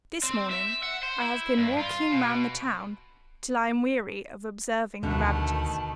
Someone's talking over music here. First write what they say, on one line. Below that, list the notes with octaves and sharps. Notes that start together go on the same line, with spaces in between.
This morning I have been walking round the town, till I am weary of observing the ravages.
C4
E5
F#5
C5
E4
G2
F4
B2
D2 B2 D3 D#3 A3